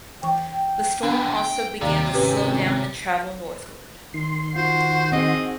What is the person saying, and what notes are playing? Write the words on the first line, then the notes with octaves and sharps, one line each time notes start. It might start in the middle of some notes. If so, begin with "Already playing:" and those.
The storm also began to slow down and travel northward.
E3 G5 C#6
E2 D3 B3 D4
G5
D#2 C3 D5 F5 A#5
G#1 C#4 G4 B4
D#3 C6
F4 F#4 C5
C4 D#4 G#4 D#5